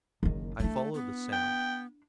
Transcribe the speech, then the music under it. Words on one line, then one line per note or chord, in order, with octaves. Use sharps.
I followed the sound.
F#1 D#3
A3 D4 E4
B3
G5